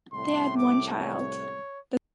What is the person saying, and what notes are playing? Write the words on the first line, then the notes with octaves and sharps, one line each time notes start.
They had one child.
C2 A2 C6
D6
C#5